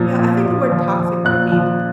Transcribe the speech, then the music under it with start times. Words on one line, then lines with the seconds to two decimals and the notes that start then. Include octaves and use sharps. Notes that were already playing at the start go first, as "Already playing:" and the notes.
Yeah, I think the word toxic for me
Already playing: A#2 F3
0.19 A#2
0.46 A#2
0.72 F3
0.99 F3
1.24 A#2 F#6
1.52 F3